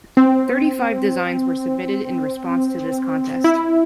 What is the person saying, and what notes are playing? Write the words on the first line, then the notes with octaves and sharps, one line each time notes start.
Thirty-five designs were submitted in response to this contest.
C4
E4